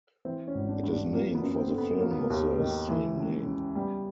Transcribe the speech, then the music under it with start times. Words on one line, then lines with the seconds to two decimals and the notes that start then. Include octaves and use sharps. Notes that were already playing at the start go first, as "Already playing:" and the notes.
It is named for the film of the same name.
0.25 E3 C4
0.48 C#4
0.55 G#1
0.69 D4
0.83 G2
0.91 D4
1.13 F3 A#3
1.35 B3
1.42 F#2
1.56 C4
1.72 D3
1.78 B3
2.00 F#3 A#3
2.11 B3
2.22 A#3
2.30 D#2
2.59 D#3
2.89 E3
3.17 C#2
3.46 C#3
3.75 G3 B3